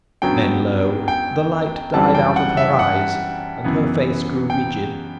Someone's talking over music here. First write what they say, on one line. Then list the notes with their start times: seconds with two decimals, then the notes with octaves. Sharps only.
Then lo! the light died out of her eyes, and her face grew rigid.
0.22 F#2 D3 F#3 B3 G5
1.08 G5
1.93 F#2 E3 G3 C4 A5
2.15 G5
2.36 F#5
2.57 E5
2.79 F#5
3.64 F#2 E3 B3
4.50 G5